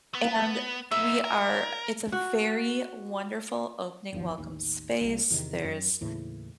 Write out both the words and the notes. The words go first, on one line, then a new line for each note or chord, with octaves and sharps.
and we are it's a very wonderful opening welcome space, there's,
B3
B3 D#4 E5
A#4
F#4
G1 D#2 F3
A1 D#2
D#1 C2
E2 C3 D#3
F#2
D#2 A2 C#3 E3